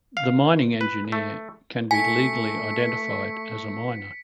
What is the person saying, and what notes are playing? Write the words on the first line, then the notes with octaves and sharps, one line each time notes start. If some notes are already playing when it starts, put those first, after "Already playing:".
The mining engineer can be legally identified as a miner.
F5
B4
A3
A3 G#5 B6 C#7